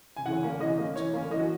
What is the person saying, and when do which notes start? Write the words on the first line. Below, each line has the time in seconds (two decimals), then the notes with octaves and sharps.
"You goin' over to Lonesome Cove?"
0.16 G#5
0.26 E3 F#5
0.43 A#3 C#4
0.60 E3 D#5
0.78 A#3 C#4 D#5
0.96 E3 C#5
1.13 A#3 C#4
1.30 E3 D#5
1.39 F#4